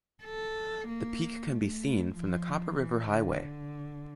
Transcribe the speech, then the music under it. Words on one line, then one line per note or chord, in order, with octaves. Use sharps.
The peak can be seen from the Copper River Highway.
A4
A#3
A3
F3
E3
D3